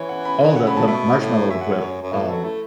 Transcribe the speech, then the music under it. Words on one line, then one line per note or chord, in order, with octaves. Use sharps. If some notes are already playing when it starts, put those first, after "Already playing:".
Oh, the the marshmallow whip, um,
Already playing: E3 C#5
F#5
B5
C#3 F#5
B5
A5
B2 E5
A2
F#2 E5
F#5
C#5
C#5
F#2
A2 B4
F#3 A4
A3 E4